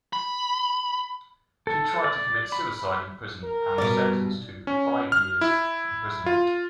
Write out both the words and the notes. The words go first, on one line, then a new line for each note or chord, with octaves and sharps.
She tried to commit suicide in prison, and was sentenced to five years imprisonment.
B5
A4
D5
B5
A#4
G2 B2 D5
C#4
F6
E4
F4